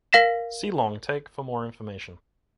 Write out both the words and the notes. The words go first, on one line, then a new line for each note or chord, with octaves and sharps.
See Long take for more information.
A#4 F5 A#6 B6 E7